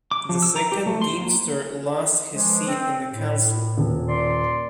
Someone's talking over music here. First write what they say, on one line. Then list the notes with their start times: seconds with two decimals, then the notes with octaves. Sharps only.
The Second Deemster lost his seat in the Council.
0.11 D6
0.29 F3
0.42 E6
0.56 A#5
0.72 G4
0.86 A3
1.02 C6
1.22 A#3
2.33 E3 F3 G#3
2.67 C4
3.09 A2
3.78 D#1
4.08 D5 C6